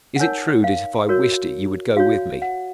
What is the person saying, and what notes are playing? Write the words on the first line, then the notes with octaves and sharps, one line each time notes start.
"Is it true that if I wished it you would go with me?"
F#5
D#4 A#4 C#5 G#5
F5
F#4 A#4 C#5
F#4 C#5 F5
F#5